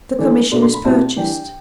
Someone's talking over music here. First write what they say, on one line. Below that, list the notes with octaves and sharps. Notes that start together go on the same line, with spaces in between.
The commission is purchased.
E3 A3 D4
B2 A3 D4 C6
C6
B5
B2 G3 C4 E4 A5
E3 G3 D4 G5